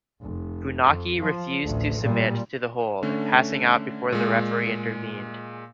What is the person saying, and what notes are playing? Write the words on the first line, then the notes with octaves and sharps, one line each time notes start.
Funaki refused to submit to the hold, passing out before the referee intervened.
F1
F2
F3
A1 D2
A#2 G3
D3 A3 C#4
A#2 G#3